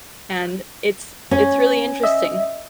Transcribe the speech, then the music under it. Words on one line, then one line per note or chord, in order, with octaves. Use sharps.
and it's it's really interesting.
C#4
D#5 E5